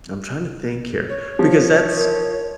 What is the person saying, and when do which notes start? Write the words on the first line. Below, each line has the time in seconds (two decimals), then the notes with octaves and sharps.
I'm trying to think here, because that's
1.10 C#5
1.39 F3
1.96 A#4